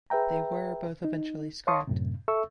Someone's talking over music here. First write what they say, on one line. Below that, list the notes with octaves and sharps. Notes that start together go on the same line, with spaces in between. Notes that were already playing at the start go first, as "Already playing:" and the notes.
They were both eventually scrapped.
G#4 B4 E5 G5 A#5
D#4
C#5 F5 A5 C6 C#6 D#6
F#2 A2 C3
A4 E5 C#6 E6